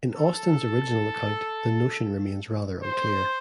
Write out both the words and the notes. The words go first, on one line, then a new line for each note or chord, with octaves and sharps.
In Austin's original account, the notion remains rather unclear.
A4
C5